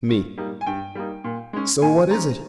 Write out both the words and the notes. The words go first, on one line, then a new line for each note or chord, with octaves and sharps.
ME: So what is it?
G2
G3 A#3 D#4
G#5
G2 G5
G3 A#3 D#4
A#2
G#3 C#4
A#2 G#5
G#3 C#4 A#5